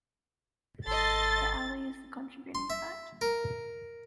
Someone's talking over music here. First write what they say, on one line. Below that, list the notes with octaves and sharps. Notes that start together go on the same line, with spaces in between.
The alley is the contributing site.
G#1 A4 D#5 C6 A6
C6
E5
A#4